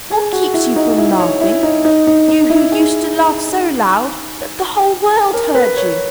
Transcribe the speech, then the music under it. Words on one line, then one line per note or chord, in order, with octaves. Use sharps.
"What keeps you from laughing, you who used to laugh so loud that the whole world heard you?"
G#4
F#4
E4
D#4
E4
C#5
E4
D#4
D#4
D#4
D#4
E4
G#4
A#4
B4
C#5